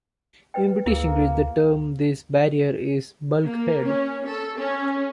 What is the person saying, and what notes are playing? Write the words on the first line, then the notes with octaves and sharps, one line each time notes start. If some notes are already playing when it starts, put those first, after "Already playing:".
In British English, the term for this barrier is bulkhead.
B4 D#5 G5
D2 A#3 E4 G#4 A#4
A#3
C#4
A4
C#4